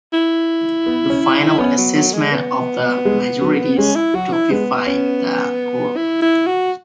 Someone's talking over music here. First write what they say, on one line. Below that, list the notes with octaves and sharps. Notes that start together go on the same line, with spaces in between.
The final assessment of the majority stupefied the group.
E4
B3
C#4
B3 C#4
F#3
F#3
G#3
B3
G#3
F#3
G#3 C#4
E4
F#3 F#4
E4
G#3 B3
C#4
E4
E4
F#4